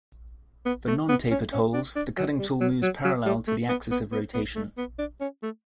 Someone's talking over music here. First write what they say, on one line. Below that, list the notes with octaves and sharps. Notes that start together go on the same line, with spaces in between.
For nontapered holes, the cutting tool moves parallel to the axis of rotation.
B3
A3
B3
C#4
C#4
D4
D4
F#3
G3
F#3
F#3
F#3
G3
A3
B3
B3
B3
B3
A3
B3
D4
C#4
A3